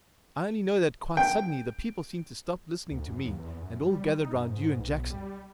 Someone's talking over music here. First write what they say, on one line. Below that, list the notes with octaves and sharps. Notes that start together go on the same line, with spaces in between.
I only know that quite suddenly the people seemed to stop listening to me, and all gathered round you and Jackson.
G5
D2
F#2
D#2
E2
F#2
G3
D#4
F#2
G#2
B1
G3